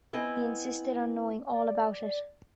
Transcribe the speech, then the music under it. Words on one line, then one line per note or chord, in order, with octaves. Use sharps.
He insisted on knowing all about it.
B3 C4 E4 D#5 G#5
D5